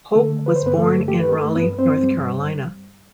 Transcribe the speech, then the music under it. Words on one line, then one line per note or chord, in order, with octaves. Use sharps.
Hoch was born in Raleigh, North Carolina.
D3 A3 A4
B4
C5
G2 B3 B4
A3 A4
A3 G4
B4
A3 A4
G2 B3 B4
C4 C5
G3